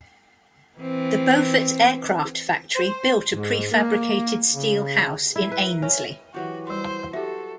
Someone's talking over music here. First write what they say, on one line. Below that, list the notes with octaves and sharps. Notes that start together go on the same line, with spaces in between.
The Beaufort aircraft factory built a prefabricated steel house in Ainslie.
E3 C4
C5
G#2
A#3
C#3
E4
B4
C#4
E3 F#3 F#4 G4
G3 C5 C6
F#4 G4 A4 E5